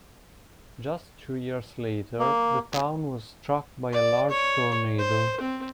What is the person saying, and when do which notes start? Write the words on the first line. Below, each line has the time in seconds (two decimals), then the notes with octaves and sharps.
Just two years later the town was struck by a large tornado.
2.19 A#3
3.92 D5
4.30 C#5
4.98 C5
5.40 C4